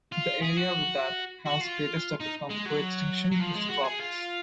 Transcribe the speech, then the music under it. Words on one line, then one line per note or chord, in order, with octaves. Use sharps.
The area with that has the greatest affect of coextinction is the tropics.
F4
G#4
F#4
F#4
F4
D#4
G#3
F#3
F#3
F3
G#3
F#4
G#4
F4